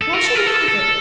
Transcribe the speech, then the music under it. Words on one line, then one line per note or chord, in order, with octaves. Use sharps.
When shall we have it!
A4
A#4
A4
A#4
A4
A4